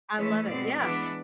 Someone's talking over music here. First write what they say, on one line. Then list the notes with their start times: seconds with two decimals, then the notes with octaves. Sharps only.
I love it, yeah,
0.17 E3 A3 C#4 C#5
0.47 B2 G#3 C4 D5
0.78 E3 G#3 B3 D4 D5